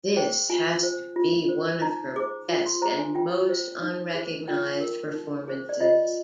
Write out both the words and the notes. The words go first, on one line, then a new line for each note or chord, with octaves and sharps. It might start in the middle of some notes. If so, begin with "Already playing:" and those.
This has to be one of her best and most unrecognised performances.
G#4 C5 G5
F4 G#5
C5
F4
C5
D#4 A#5
G#4 C5 D6
F4
C6
G#4 C5 A#5
G#5
F4 G5
C5
D#4
G#4 C5
F4 G5
A#4
D#4
G#4 C5
D5
F4 D#5